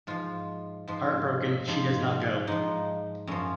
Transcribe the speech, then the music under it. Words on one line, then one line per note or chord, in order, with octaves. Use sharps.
Heartbroken, she does not go.
G#2 F3 F4
G#2 F3
G#2 F3
G#2 F3 D#4
F#2 F3 C#4